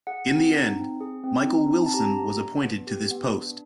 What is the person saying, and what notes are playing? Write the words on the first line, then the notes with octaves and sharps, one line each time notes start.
In the end, Michael Wilson was appointed to this post.
G#4 F#5
C4
D#4
C4
G#4
C4
D#4
C4
A5
G4 A#5
B3
D4
B3
G4
B3
D4